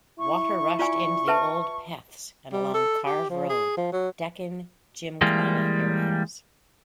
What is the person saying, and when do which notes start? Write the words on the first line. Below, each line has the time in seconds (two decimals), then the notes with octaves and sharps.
Water rushed into the old 'Peths' and along Karve Road, Deccan Gymkhana areas.
0.19 E4 C#6
0.79 F4 D5 G#5 C#6
1.28 B4 E5 A5
2.52 G3
2.74 A4
3.06 G4
3.30 F3
3.49 G#4
3.77 F3
3.92 F#3
5.21 E3 G3 G#3 A#3